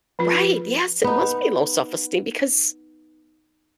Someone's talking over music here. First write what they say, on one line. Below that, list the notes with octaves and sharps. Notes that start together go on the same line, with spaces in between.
Right, yes, it must be low self-esteem, because
F3 F4
B3 D#4